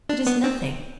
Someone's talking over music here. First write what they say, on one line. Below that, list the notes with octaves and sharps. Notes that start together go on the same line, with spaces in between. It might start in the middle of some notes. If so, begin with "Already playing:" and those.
"It is nothing."
D4
B3
C4